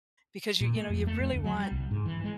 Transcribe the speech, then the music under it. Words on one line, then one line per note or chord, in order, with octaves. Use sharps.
because you you know, you really want
A#2
A3
F2
A3
F2
D2
F#3
G3
C2
G#2
E3
G#3